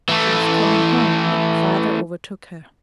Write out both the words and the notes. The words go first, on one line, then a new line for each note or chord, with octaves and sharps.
She was coming home when her father overtook her.
E3 A3